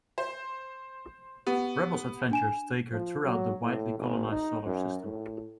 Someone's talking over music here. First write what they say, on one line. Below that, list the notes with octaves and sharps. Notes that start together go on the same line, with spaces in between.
Rebel's adventures take her throughout the widely colonised solar system.
C5
B3 G4
D4 G#5 E7
F3
F#3
A2
G#1
D#4
F#2
A2